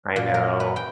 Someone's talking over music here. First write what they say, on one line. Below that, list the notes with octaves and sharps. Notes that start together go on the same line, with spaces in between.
I know.
A#2
A#4
B4
G5